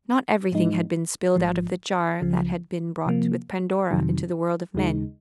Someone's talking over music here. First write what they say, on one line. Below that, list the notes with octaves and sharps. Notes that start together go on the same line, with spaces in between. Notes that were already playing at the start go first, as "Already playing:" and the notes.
Not everything had been spilled out of the jar that had been brought with Pandora into the world of men.
G#2 F3 G#3 D#4
G#1 G#2 F3
C#2 C#3 F3
C3 F3 A#3
F2 C3 D#3 F#3
D#2 C#3 G#3 D#4